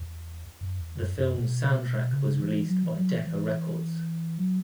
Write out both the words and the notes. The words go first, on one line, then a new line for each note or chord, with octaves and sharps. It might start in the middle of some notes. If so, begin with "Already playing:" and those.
The film's soundtrack was released by Decca Records.
Already playing: E2
F#2
E2
F#2
F#2
B2
C#3
E3
F#3
E3
F#3
E3
E3
F#3